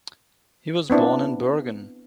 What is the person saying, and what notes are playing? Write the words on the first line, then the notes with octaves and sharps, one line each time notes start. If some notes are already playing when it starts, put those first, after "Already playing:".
He was born in Bergen.
B3 C4 D4 E4